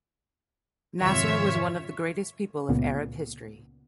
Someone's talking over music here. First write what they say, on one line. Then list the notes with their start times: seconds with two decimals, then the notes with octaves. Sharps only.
Nasser was one of the greatest people of Arab history.
1.02 F2 G#2 C3 D#3 F4 C#5 E5
2.69 C#2 A#2 C#3 A#3 B3